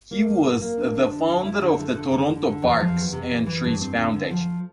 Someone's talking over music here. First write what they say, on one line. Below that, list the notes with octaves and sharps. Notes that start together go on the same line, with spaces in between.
He was the founder of the Toronto Parks and Trees Foundation.
A#3
G2
A#3
A#3
D4
D4
D3
E4
E4
D3
A3
D3
D3
D3
D3
E2
F3
E2
C3
E3
E3
G2
C4
D3
D2
F3